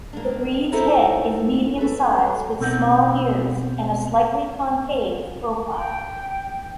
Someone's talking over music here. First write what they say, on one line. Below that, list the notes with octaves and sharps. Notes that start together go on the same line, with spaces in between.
The breed's head is medium sized with small ears and a slightly concave profile.
A#3 D4
D#4 E4 A4 A#4 C5 C#5
A4 B4
B2 C4 D#4 F#5
G5